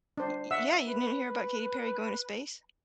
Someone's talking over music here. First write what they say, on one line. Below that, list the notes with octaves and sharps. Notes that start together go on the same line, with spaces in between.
Y y yeah, you didn't hear about Katy Perry going to space?
D4 C5
E5 F#5 E6
B4